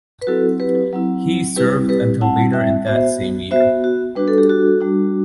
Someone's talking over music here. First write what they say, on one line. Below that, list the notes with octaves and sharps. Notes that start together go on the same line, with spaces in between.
He served until later in that same year.
B4
F#3 C4 E4 F#4 A4
G4 B4
F#3 C4 E4
G3 C4 E4 G4 B4
G4 B4
G3 C4 E4 F#5 A5
E5 G5
B3 F#4 C5 E5
B3 F#4 C5 E5
F#4
G3 D4 F#4 B4
A4
G4
F#4 A4
G3 D4 F#4